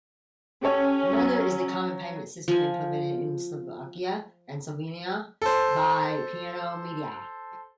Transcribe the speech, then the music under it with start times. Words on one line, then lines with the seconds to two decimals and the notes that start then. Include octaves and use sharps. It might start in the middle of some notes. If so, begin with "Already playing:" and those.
Another is the common payment system implemented in Slovakia and Slovenia by Piano Media.
0.63 C#4 G4 A4 C#5
1.13 F#3
2.48 F3 G#5
5.42 A4 C5